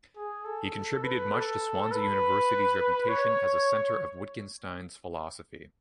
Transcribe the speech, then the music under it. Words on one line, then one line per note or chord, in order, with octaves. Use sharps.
He contributed much to Swansea University's reputation as a centre of Wittgenstein's philosophy.
G#4
A4
B4
A4
B4
C#5